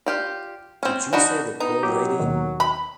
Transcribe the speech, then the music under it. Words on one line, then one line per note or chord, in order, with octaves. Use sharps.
Did you save the poor lady?
F4 G4 D5
C4 C#4
D4 D#4 F#4 B5
B3 D#4
F#3 G4
D#2 B2 D#3
B5